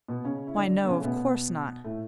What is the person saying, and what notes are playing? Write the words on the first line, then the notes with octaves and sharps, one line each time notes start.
'Why no, of course not.'
B2 B3
C#3 C#4
E4
D3 D4
B3
C#3 C#4
A3
B2 B3
A2 A3